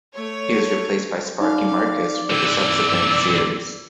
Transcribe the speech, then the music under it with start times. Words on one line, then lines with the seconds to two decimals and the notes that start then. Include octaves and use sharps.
He was replaced by Sparky Marcus for the subsequent series.
0.13 A3 C#5
1.41 D#4 D5 F5
2.30 C3 E3 E6